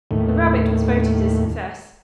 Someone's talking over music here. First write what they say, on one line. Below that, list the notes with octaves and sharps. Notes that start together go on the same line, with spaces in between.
The rarebit was voted a success.
D#2 A2